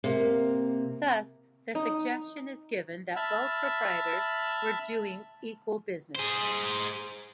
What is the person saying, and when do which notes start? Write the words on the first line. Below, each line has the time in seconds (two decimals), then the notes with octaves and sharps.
Thus, the suggestion is given that both proprietors were doing equal business.
0.04 C3 A#3
1.75 D#4
3.16 E5 A5 B5 F6
6.15 G#4 C5